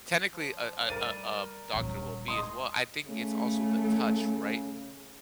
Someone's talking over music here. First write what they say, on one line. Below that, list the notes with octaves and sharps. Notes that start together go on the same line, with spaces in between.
Technically a a a, uh, doctor will be as well. I think it's also the touch, right?
F3
G3 A#4 A6 D#7
D#1 C#3 F#3
G#3 C6 D#6
C#3 A3